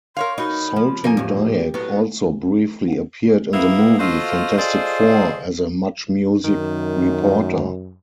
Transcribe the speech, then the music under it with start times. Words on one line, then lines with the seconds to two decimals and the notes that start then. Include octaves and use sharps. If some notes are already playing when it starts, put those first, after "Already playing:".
Soltendieck also briefly appeared in the movie "Fantastic Four", as a MuchMusic reporter.
0.17 A#4 C#5 F5 C6
0.38 D#4 F#4 B5
0.76 F3
1.04 F3 A#3 A#4 G#5
1.17 E2 A2 G4
1.74 A2 F#3 B3
3.53 E2 A#3 B3 E4 A#4 F5
4.00 F4 F#4 A4 C5 D#5 F5
4.57 F4 G#4 A4 C5 D5 D#5
6.44 F#2 D#3